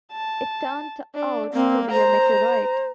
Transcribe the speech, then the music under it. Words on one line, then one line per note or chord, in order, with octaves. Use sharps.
It turned out to be a meteorite.
A5
D4
A#3 C4
C5 A#5